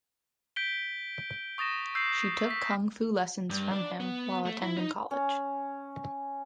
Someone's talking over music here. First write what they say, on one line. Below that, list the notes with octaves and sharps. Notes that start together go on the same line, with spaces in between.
She took Kung Fu lessons from him while attending college.
G6 B6 D7 G7
C#6 D#6 A6 A#6 E7
E6 G6 C7
B6
G2
D4 D5
B3
A3
E4
D#4
C#4